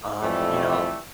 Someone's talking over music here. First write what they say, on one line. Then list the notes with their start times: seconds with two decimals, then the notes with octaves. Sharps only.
Um, you know
0.23 F2 E3 G3 A3